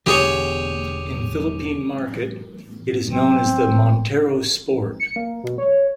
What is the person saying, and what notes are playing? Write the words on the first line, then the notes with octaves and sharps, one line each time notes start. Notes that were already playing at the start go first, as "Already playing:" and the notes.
In Philippine Market, it is known as the Montero Sport.
E1 E2 D3 G4 G#4 C#5
A2 F#3 C4
G#2
C#7
A#3
B2
C#5